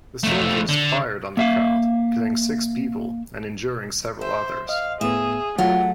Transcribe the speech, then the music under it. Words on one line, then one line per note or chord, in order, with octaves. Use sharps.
The soldiers fired on the crowd, killing six people and injuring several others.
F2 A3
D3
A#3 E5 F5
C5 E5
D#5 F5
A2 B3 G#4 E5
F#3 A3 F4 F#5